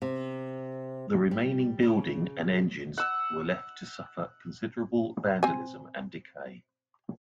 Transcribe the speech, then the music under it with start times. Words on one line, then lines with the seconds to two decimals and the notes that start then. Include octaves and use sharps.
The remaining building and engines were left to suffer considerable vandalism and decay.
0.02 C3
1.31 G3
1.82 C#3
2.98 F#5 E6
5.43 C4 G#5